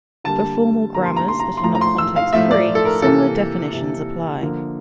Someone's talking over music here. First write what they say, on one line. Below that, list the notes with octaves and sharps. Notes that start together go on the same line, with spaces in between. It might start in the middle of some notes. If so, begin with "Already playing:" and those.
For formal grammars that are not context-free, similar definitions apply.
D3 G3 A#3 A5
D3 G3 A#3 A#5
C6
A#5
C6
A#5
C6
A2 F3 A3 A#5
A#5
C6
E6
F5
A2 F3 A3 E5
D5
A4
A#4
C3 E3 A#3 A4
C3 E3 A#3
D3 F3 A#3